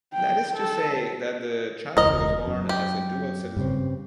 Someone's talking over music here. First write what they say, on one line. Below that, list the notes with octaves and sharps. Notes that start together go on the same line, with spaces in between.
That is to say that the child was born as a dual citizen.
G5
A4
E1 C#2 A#4 D#5
F#2
G4
G2 C#3 C4